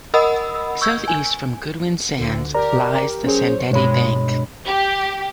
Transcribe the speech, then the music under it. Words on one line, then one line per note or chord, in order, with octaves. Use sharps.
Southeast from Goodwin Sands lies the Sandettie Bank.
A#4 D#5 F#5 B5 D#6 E6
C#6 E6 G6 G#6
G#5
D2 D3
G4 A#4 D5 A#5
F#3 C#4 G#4 C5 C#5
G2 B2 G#3 C#5 B5
G4